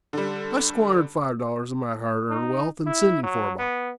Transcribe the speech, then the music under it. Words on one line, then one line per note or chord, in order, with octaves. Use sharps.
I squandered five dollars of my hard-earned wealth in sending for a bottle.
D3 G3
D#4
E4
F#3
B3